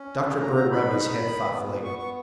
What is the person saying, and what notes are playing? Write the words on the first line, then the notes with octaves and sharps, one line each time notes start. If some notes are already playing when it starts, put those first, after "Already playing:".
Dr. Bird rubbed his head thoughtfully.
Already playing: C#4
C#3
F#3 A#5
A#5
G#2
B5
D#4
D#3
B3
A#2
B3 C#6
C#6